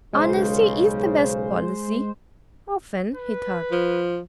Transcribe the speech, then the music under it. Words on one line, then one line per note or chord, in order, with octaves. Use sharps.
Honesty IS the best policy--often, he thought.
B1 C#3 G#3 C5
B4
F3